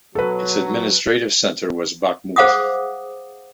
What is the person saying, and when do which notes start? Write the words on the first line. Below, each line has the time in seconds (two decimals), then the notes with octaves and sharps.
Its administrative centre was Bakhmut.
0.15 B2 F#3 A4 B4
2.36 G#4 C5 F5 F#5 D6 D#6